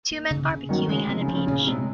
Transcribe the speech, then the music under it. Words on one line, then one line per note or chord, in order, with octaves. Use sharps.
Two men barbecuing at a beach.
A#3
C#3
C#3
D#3 F#3 C#4
C#3 G#3
C3 F3
C#3
F3
C#3
A#2 C#3
C3 G#3